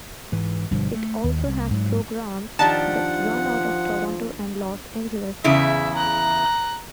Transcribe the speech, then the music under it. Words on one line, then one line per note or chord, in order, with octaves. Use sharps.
It also has programs that run out of Toronto and Los Angeles.
G#2 E3
G1 G2 B2 F3
A3
D#2
C2
G#2 F#3
D#3 F3 D4 G4 F#5 A5
E2 C#3 E4 E5
A#5 F#6